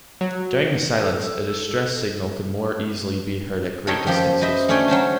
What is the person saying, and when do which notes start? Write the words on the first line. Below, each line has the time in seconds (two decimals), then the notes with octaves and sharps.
During the silence, a distress signal could more easily be heard at great distances.
0.21 F#3
0.99 A4
3.87 A4 A#4 C#5 D#5 G5 A5
4.07 F#2 F3 G4 G5
4.41 B4 C5 D#5 E5
4.69 A3 C#4 D4 C#5 G5 G#5
4.88 F#3 C#4 C5 A5